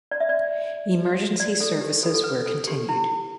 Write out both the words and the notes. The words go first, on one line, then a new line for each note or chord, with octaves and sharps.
Emergency services were continued.
D5
E5
D5
D5
A4
G4
A4
A4
B4
A4
G4
E4